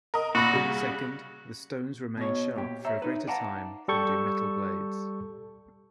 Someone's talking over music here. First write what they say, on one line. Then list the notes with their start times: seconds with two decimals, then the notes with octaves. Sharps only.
Second, the stones remain sharp for a greater time than do metal blades.
0.14 A#4 D#5
0.35 A#2 F#4 B5 A#6
0.53 C#3 G3
2.17 B2 C#5
2.56 A#2 G4
2.85 C5 C#5 E5 A#5
3.02 D#4 B4
3.27 B4 D5 F5 F#5 A5 A#5
3.88 G3 A4 C#6 G6